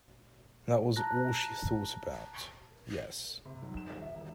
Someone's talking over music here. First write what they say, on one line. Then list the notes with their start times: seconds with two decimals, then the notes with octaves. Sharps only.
That was all she thought about, yes.
0.96 A5 A#5 F#6 A#6
3.45 C3
3.62 B1
3.77 E7
3.90 D#1
4.01 E5
4.16 E1